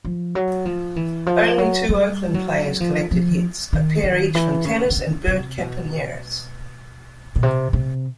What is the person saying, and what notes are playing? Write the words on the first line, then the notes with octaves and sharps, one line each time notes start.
Only two Oakland players collected hits, a pair each from Tenace and Bert Campaneris.
F3
F#3
F3
E3
F3
F#3
G3
F#3
F3
F3
D#3
D#3
E3
C#3
D3
C#3
C3
B2
B2
C3
C3